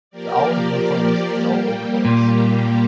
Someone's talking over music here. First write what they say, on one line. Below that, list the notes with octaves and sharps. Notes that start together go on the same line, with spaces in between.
The album proclaims: No overdubs.
F3 A#3 G4 A#4 D5
G3 A#3 G4
A#2